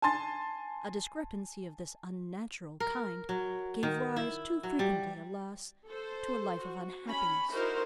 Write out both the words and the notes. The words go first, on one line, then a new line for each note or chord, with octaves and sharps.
A discrepancy of this unnatural kind gave rise, too frequently, alas! to a life of unhappiness.
G#5 A5 C6 A6
A#4
F#3
D#3
E4
F#3
G3
A4 C5
F#4
C#4 B5
D#4 E4 F#4 A#4 C5